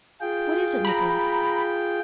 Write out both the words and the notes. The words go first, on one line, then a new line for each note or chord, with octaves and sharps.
"What is it, Nicholas?"
F4 G#4 G5
A#5 B5